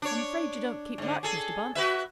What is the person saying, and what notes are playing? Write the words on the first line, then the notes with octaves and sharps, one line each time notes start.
"I'm afraid you don't keep much, Mr. Bunce."
D4 C#5
G#2 D3
G#4 A4
F#4 B4 E5